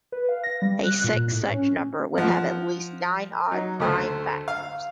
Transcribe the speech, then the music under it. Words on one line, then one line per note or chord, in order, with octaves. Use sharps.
A sixth such number would have at least nine odd prime factors.
B4
F5
A#6
G3
F#6
A#2
A2
C#4
F3 F#5
F#3 D#4
D2 A3 C5
F5